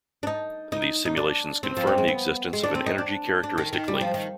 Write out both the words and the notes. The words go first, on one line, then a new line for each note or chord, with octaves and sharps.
These simulations confirmed the existence of an energy characteristic length.
D4
D#4
D#4
D#4
D4
C4
F3
G3
G#3
B3
G#3
D4
C4
D#4
D4
D4
D#3
D#3
G3
F3
D#3